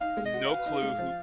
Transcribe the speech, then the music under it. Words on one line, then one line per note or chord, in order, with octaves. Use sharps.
No clue who
D#4 F5
G#3
D#5
F#4
B4 F5
D#4
G#3
F3